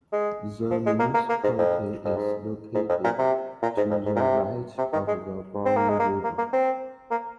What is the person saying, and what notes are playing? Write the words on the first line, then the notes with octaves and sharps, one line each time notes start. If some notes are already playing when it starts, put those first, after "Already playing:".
The municipality is located to the right of the Broye river.
G#3
F3
G#3
A#3
A#3
A#3
G#2
F2
F2
G#2
G#2
F2
A#2
C3
A#2
G#2
F2
G#2
A#2
C3
C3
D#3
G#3
C4
A#3
G#3
A#3
A#3
A#3
C4
A#3